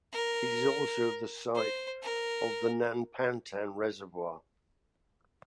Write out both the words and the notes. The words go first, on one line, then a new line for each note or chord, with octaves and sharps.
It is also the site of the Nanpantan Reservoir.
A#4
C5
A#4